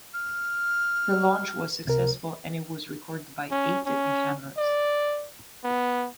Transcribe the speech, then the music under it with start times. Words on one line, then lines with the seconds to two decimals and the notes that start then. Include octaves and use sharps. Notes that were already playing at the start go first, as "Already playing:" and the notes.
The launch was successful and it was recorded by eight different cameras.
0.14 F6
1.85 C#2 C3 A#4
3.51 C#4
3.86 C#4
4.57 D5
5.64 B3